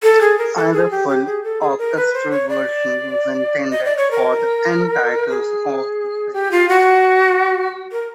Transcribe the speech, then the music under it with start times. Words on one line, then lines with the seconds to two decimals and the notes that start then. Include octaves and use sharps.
Another full orchestral version was intended for the end titles of the film.
0.03 A4
0.21 G#4
0.38 A#4
0.56 A4
0.73 G#4
0.91 G4
1.09 G4
1.26 G#4
1.44 A4
1.61 G#4
1.78 A#4
1.96 B4
2.14 C5
2.31 C#5
2.49 D5
3.71 D#5
3.85 D5
3.97 C#5
4.11 A#4
5.29 G#4
6.33 G4
6.51 F4
6.69 F#4
7.92 A#4